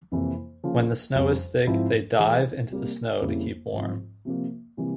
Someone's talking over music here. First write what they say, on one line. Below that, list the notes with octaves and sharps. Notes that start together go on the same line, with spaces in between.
When the snow is thick they "dive" into the snow to keep warm.
F2 C3 E3 A#3 E4
C#3 F3 A#3 F4
F2 C#3 G3
G#2 F3 C4 E4
E3 G#3 E4
C3 G3 A#3
F2 C#3 G3 A#3 E4
G#2 F3 C4
C3 F3 A#3
C3 E3 G3 A#3